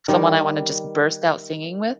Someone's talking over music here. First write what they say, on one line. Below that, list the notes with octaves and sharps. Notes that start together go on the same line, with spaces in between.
someone I wanna just burst out singing with.
D#3 G3